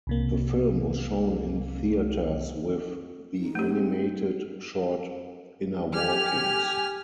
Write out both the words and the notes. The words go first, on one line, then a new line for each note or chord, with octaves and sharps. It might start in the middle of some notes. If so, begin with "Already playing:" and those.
The film was shown in theaters with the animated short "Inner Workings".
C2 C3 A#3
D#4
A3 G4
C4
G4 G#5 F6